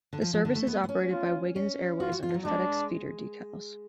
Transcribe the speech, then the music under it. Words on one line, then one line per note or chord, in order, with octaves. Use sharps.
The service is operated by Wiggins Airways under FedEx Feeder decals.
D3
F3
F3
D3
A3
B3
B3
C#4
F4
C#4
F4 F#4
F#4
F4
F3
F#3
G#3 D4